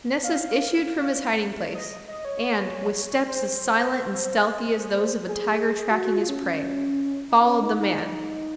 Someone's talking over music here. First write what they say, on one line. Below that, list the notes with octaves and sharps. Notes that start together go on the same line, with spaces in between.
Nessus issued from his hiding place, and, with steps as silent and stealthy as those of a tiger tracking his prey, followed the man.
F5
D#5
D#5
C#5
C5
C5
G#4
G#4
F#4
F#4
F4
C#4
D#4
D#4
C#4
D#4
D#4